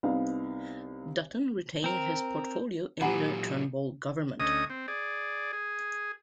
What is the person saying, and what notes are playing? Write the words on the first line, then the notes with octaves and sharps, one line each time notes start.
Dutton retained his portfolio in the Turnbull Government.
C2 B3 D#4 F5
C4 A#4
A#2 F#3 D#4 G4 F#5 G#5 A#5 B5
D2 C#4 D#5 D#6
C4
G#4 D5
G#4